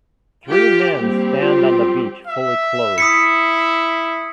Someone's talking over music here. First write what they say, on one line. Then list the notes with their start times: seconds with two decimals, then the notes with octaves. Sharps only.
Three men stand on the beach, fully clothed.
0.45 F4 G4
0.98 G3 A#3 C4 G4
1.42 F4
2.27 E5
2.98 E4 D#6 B6 C#7